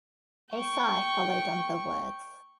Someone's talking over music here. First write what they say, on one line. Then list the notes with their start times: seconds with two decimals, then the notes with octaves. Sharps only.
A sigh followed on the words.
0.53 G5 C#6